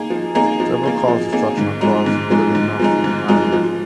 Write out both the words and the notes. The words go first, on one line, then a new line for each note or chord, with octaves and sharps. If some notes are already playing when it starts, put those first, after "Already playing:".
Trevor caused destruction across Goodenough Island.
Already playing: A#3 D#4 G#4
F3
A#3 D#4 G#4
F3
A#3 D#4 G#4
F3
A#3 D#4 G#4
G#2
F3 G#3 D#4
G#2
F3 G#3 D#4
G#2
F3 G#3 D#4
G#2
F3 G#3 D#4
F3